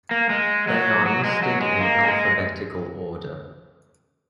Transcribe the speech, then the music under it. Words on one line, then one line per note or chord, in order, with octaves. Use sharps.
They are listed in alphabetical order.
A#3
G#3
F#3
F#3
G#3
F#3
G#3
A#3
G#3